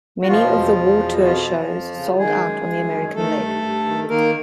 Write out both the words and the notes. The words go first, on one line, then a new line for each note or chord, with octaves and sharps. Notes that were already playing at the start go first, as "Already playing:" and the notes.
Many of the War Tour shows sold out on the American leg.
F#4
B2 F3 F4
E2
E2
B2
F#4
F2 F3 F4
E3
F2
C#3
D#3 G#3 G#4
F#2
F#2
D#3
D#3 A3 A4
G2
G2
D#3
D#3 A#3 A#4